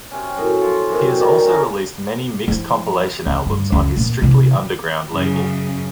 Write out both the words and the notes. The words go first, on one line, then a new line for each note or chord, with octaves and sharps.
He has also released many mixed compilation albums on his Strictly Underground label.
C3 C#4
F#2 A2
F3
F#2 C3
D#3 D5
C#4 F#4 A4 A#4
F3 E4
C#2
G2
C#2 F#2
A#2
C3 E3
F#2 C#3